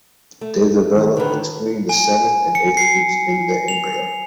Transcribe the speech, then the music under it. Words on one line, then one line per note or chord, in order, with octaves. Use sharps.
They develop between the seventh and eighth weeks in the embryo.
A3
D#3
D3 D#3 B4
G#5
C#7
C7
F7